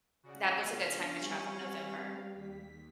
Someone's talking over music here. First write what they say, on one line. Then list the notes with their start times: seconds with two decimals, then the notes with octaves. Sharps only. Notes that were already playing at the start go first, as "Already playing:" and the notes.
That was a good time to travel, November.
0.23 C#3 F#4 D5
0.62 B3 C#4 D4 F4 F5
1.21 G3 C4 B4
2.34 D#2 B6